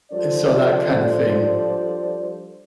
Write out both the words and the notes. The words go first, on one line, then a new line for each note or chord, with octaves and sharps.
uh, so, that kind of thing,
F3 G3 D4 A4 C5 D5